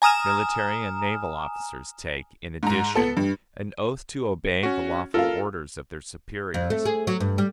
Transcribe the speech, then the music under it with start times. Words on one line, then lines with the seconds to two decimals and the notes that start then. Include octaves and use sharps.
Military and naval officers take, in addition, an oath to obey the lawful orders of their superiors.
0.02 G#5 A#5 D#6 F6 E7
2.63 G#2 A#5
2.95 B3 A4
3.17 G2
4.63 C#4 F#4
5.14 F4 A4 A#4 F5
6.54 F2
6.70 A3
6.85 G#4
7.07 F#3
7.20 G2
7.38 G3